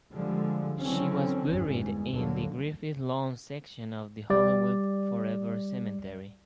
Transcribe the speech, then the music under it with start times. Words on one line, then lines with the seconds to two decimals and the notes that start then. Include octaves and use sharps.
She was buried in the Griffith Lawn section of the Hollywood Forever Cemetery.
0.11 D3 F3 G3 G#3
0.81 D3 E3 F#3 C4 C#4
1.50 G1 E2 G#2
2.10 G1 D#2 D3 F#3 A#3
4.30 G3 D5